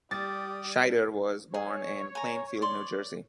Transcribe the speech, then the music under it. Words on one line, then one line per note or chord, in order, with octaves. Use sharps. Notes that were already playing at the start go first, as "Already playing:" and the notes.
Shider was born in Plainfield, New Jersey.
G3 G4 D5 D6 D#6 A6
G#4 C#5
G#5 A#5
D5 C6